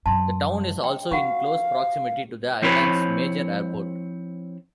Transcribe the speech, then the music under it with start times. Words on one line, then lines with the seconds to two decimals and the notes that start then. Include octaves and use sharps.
The town is also in close proximity to the Island's major airport.
0.06 F#2 C3 A5 C6
0.84 G5
1.11 F4 F#4 F5 F#5 C#6
2.62 F3 C4 E4 C#5 B5